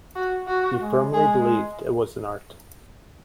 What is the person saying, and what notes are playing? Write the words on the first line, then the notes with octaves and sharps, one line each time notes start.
He firmly believed it was an art.
F#4
F#4
G#3
G#3 G#4